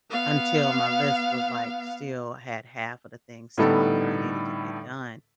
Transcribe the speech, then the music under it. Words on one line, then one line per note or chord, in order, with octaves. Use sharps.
until my list was, like still had half of the things still on there I needed to get done.
B3 F5
A2 D3 G3 B3 D#4 A4